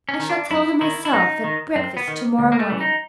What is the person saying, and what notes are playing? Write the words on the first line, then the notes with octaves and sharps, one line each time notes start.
I shall tell him myself at breakfast to-morrow morning.
C#4
D#3
D4
F#2 E4
D#3 E4
E4
F#2 D#4
D#3
F#2 C4
B3
D#3
D2
A#3
A3
C#3 E3
D#4